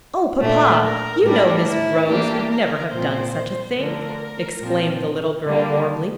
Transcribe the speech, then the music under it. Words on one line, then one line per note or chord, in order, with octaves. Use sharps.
"Oh, papa, you know Miss Rose would never have done such a thing!" exclaimed the little girl warmly.
A#2 A3 D4
A#4
A2 G3 D4 A#4
E4
E3 A#3 D4 G4
A#4
A#2 F3 C4 C5
D3 F3 A3 D4 A#4
A#2 F3 C4
D3 G3 A#3 D4